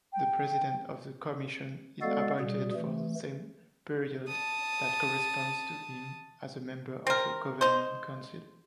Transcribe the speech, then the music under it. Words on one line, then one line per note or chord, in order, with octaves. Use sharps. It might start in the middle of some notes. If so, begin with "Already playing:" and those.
The president of the Comission is appointed for the same period that corresponds to him as a member of the Government Council.
G5
G#3 B3 F#4 A4 D5 F5
B2 G3 G#4
E3 A3
A5 D#6
C4 A#4
D#4 C5